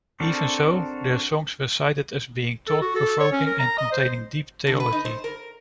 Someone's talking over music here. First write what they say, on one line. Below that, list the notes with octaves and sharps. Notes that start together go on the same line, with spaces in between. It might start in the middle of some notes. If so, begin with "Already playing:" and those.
Even so, their songs were cited as being thought-provoking and containing deep theology.
C4 D4 F#4 A4 A#4
A4
F#4
A4
C#5
C#4
A#4
A#5
D#5
C5
D3
B4
D#4
C5
A#4